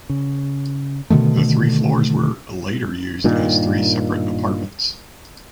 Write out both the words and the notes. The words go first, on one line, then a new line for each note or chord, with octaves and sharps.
The three floors were later used as three separate apartments.
C#3
B2 D3 D#3 A3
G2 A#2 D#3